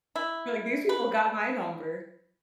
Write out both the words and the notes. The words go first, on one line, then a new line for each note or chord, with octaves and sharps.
You were like, "These people got my number."
E4
B4